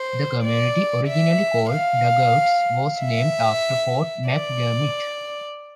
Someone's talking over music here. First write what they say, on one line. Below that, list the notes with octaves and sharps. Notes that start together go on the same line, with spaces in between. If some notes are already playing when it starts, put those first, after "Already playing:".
The community, originally called Dugout, was named after Fort McDermit.
Already playing: C5
D5
E5
F5
E5
D5